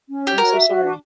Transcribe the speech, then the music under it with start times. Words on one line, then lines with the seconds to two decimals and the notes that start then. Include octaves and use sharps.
I'm so sorry.
0.09 C#4
0.23 G4 C#5
0.38 F#4 A#4
0.53 E5
0.68 F#4
0.83 D4